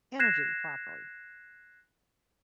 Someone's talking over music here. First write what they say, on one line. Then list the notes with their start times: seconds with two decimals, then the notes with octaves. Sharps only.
energy properly.
0.19 F#6 G#6 A#6 C7 E7